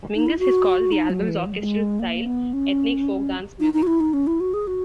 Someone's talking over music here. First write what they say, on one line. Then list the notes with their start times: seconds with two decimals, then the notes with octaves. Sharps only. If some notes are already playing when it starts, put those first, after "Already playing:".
Mingus has called the album's orchestral style "ethnic folk-dance music".
0.15 D#4
0.27 E4
0.39 F#4
0.92 D#4
1.10 F#3
1.28 E3
1.46 G#3
1.53 F#3
1.60 G#3
1.99 A#3
2.26 B3
2.53 C#4
3.60 D#4
3.74 D#4
3.83 F#4
3.87 E4
4.00 D#4
4.13 C#4
4.27 E4
4.40 F#4
4.54 G#4
4.67 F#4